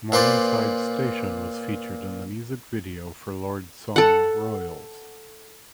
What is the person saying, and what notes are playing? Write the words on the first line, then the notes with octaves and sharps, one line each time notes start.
Morningside Station was featured in the music video for Lorde's song "Royals".
A#2 B4 C5 D5
A4 F#5